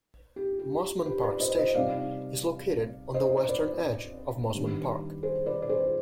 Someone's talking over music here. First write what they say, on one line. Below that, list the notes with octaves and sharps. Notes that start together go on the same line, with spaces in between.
Mosman Park station is located on the western edge of Mosman Park.
G4
G4
G4 B4
B4 D5
C5 D#5
C5 D#5
C3 G3 C4 D#4 D5 F5
C5 D#5
B4 D5
D#3 G3 B3 D4
G#4 C5
B4 D5
D5
G#4 C5